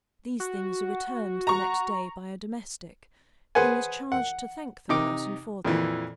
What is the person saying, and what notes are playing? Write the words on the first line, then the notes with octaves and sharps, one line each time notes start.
These things are returned the next day by a domestic, who is charged to thank the person for them.
F#4
A#5 C#6
G#4 B4 C5 F#5 G#5
F#5
C3 D#4 D6
F2 A#2 E3